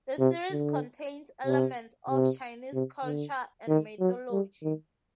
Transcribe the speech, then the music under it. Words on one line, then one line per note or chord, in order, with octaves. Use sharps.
The series contains elements of Chinese culture and mythology.
C3
D3
C3
C3
C3
D3
D#3
F#3
G3
D#3